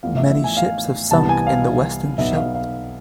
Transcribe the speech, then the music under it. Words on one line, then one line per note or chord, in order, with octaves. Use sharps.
Many ships have sunk in the Western Scheldt.
A1 A2 F3 B3 F5
E5
E5
G#5
F5
C2 C3 E3 B3 A5
G#5
F5
B1 B2 B3 E5
F5
F5